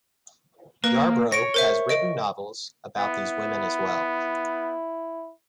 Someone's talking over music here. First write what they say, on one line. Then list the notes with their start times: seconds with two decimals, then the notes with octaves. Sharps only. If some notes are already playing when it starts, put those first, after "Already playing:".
Yarbro has written novels about these women as well.
0.84 A#3 B4
1.32 C#5 A#6 D7
1.54 A#4 C5 E5
1.89 D#5 D7
2.98 B3 E4